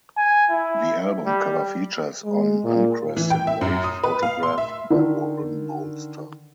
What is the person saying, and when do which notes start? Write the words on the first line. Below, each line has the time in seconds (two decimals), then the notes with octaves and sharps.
The album cover features an uncrested wave photographed by Warren Bolster.
0.17 G#5
0.50 E4
1.26 G3
2.24 G#3
2.64 A#2
3.17 E3
3.30 G5
3.47 E5
3.61 F#2
3.84 D#6
4.04 B4
4.23 F5
4.43 C6
4.58 E5
4.90 D3 D#3